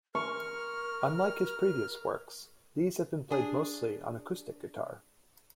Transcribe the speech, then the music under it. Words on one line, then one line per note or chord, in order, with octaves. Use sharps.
Unlike his previous works, these have been played mostly on acoustic guitar.
A#4 C#6 F6
D4 G#4